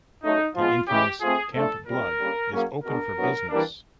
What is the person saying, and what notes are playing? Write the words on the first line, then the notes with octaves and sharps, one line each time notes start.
The infamous Camp Blood is open for business!
C#3 F#3 A3 D#4
F3 G#3 B3 F4
C#3 E3 G#3 G4
F3 A3 C4 G#4
F3 A3 D4 A4
A#2 G3 C4 A#4
D3 G3 A#3 C#4
C#3 F#3 A#3 C#4
B2 G#3 B3 D4 A#4
A2 F#3 B3 D4
E3 G3 A#3 D4